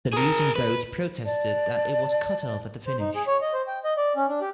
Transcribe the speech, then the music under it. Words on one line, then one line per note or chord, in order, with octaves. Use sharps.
The losing boat protested that it was cut off at the finish.
G#4 A#4
B4
D5 A5
C5
D#4
G#4
C#5
D#5
C5
G5
D#5
D5
C#4
D4
G4